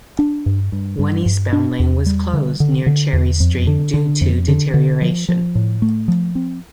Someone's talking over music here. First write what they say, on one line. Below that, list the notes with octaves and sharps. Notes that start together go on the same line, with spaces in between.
One eastbound lane was closed near Cherry Street due to deterioration.
D4
G2
G2
G2
G2
D4
E2
G3
D3
D3
D3
E2
F2
D3
D3
F2
D3
D3
F3
F3
A2
A3
F3
C4